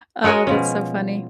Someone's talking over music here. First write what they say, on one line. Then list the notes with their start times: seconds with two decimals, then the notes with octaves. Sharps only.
Oh, that's so funny.
0.24 G#3 F#4 A#4 C#5 G#5
0.47 B2 F3 C#4